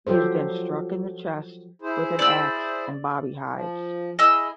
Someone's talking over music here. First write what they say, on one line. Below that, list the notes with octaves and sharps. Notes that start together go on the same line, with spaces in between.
He is then struck in the chest with an axe and Bobby hides.
F3 F#3 G4 A4 C5
E4 G#4 C5
D5 E6
F3
E4 G#4 D#5 E6